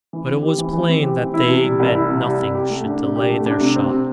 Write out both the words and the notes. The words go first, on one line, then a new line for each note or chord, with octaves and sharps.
But it was plain that they meant nothing should delay their shot.
E3
C4
G4
E3
E3
C4
G4
E3
E4
C3
G3
C2
E4
C3
G3
C2
G4
A3
D4
C3
G4
A3
D4
C3
C4
C3